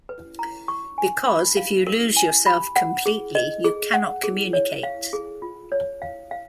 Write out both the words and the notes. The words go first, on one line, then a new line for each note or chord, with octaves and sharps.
Because if you lose yourself completely, you cannot communicate.
B4
A#5
C#6
G#5
B5
F5
A#4
G#5
B5
F#5
G#4
D#5
G#4
F#5
G#4
C#5
F5
G#4
F4
C#5
F5
F5